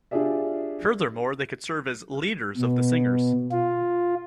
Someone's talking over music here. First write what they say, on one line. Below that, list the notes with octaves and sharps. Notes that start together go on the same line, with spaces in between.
Furthermore, they could serve as "leaders" of the Singers.
D4 F4 G4 G#4 D5 E5
B2
F4